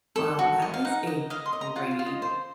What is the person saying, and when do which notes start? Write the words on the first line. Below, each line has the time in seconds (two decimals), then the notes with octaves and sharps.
Well, that is a great
0.16 A4
0.39 F#4
0.62 D#5
0.74 F5
0.85 D#4 F#5
1.07 D#5
1.30 D#5 F5
1.46 C6
1.53 D#5
1.61 A#5
1.76 F4 F#5
1.91 F5
1.99 F4
2.06 D#5
2.22 C5